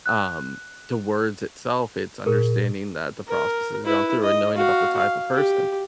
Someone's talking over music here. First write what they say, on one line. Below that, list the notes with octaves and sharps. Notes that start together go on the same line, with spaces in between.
um, the words itself, it's understanding that the process has gone through and knowing about the type of person.
F#6
A#2 G#4 A#4
A#4
E4 B4
D#5
F#4 F5
F5
G4